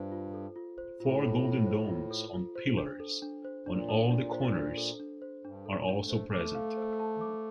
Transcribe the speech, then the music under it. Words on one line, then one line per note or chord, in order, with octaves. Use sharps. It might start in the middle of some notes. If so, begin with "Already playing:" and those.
Four golden domes on pillars on all the corners are also present.
Already playing: G2 F4 C5
F4
A4
F4
C5
A2 F4
A4
F4
C5
F4
A4
F4
C5
D4
A4
D4
C5
A#2 D4
A4
D4
C5
D4
A4
D4
C5
G2 D4
A4
A#2
D4
A3
C5
A3 D6
F5
C5
A5
D6